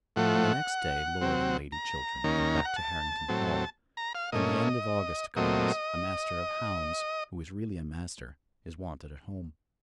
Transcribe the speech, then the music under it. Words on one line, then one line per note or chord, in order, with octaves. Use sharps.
On the next day Lord and Lady Chiltern went back to Harrington Hall. When the end of August comes, a Master of Hounds,--who is really a master,--is wanted at home.
A2 F3 A3 F#5
C3 F#3 C4
A#5
D#2 D#3 A#3 C#4
F#5
A5
A2 F#3 C4
A#5
F5
A#2 A3 C#4 D#5
A#2 F#3 A3 C4 D#5